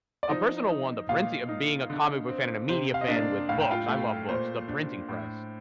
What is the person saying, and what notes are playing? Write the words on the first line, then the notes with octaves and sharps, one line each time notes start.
a personal one, the printing of being a comic book fan and a media fan with books. I love books. The printing press,
D5
F3 D#4 D#5
D#4
A#2 F4 F5
D#4
D3
C4
C3 C5
F5
D#5
A#3 D4 D5
A2 F5
G5
F4 F5
A3
A#2 C5
D4
A2